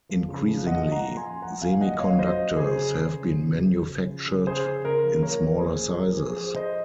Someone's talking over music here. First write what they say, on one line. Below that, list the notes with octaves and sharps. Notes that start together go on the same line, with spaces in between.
Increasingly, semiconductors have been manufactured in smaller sizes.
F3
C#3
F3
A#2 D#5 F#5
F3
F#5 A#5
F3
G#5 C6
F3
F3 F#5 A#5
F3 F5 G#5
A#2 D#5 F#5
F3 C#5 F5
F#3 C5 D#5
F#3
C#3 G#4 C5
C#3
C#3
C#3
C#3
F#3
C#3
C#3
F3
C#3
C#3 G#4 C5
C#3
C#3 A#4
F3
A#2 A#4 C#5
F3
A#2 G#4 C5
F3
F3 A#4
F3 G#4 C5
F3 G#4 C5
F3 C5 D#5